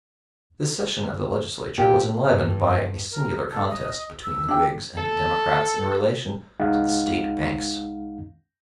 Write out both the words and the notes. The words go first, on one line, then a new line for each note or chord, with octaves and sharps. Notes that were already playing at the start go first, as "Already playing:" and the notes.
This session of the Legislature was enlivened by a singular contest between the Whigs and Democrats in relation to the State banks.
A#2 G4
G2
A#4
A4
D#5
E6
D4 G5
A4
C2 G#3 D#4 F5 F#5